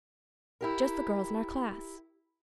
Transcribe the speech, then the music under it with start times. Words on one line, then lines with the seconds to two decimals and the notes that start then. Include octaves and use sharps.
"Just the girls in our class."
0.61 E4 G4 A#4